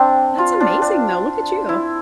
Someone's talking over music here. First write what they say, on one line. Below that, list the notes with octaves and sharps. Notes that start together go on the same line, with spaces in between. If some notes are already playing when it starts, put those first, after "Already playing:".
That's amazing, though. Look at you.
Already playing: C4 D4
F4
D4
D4
E4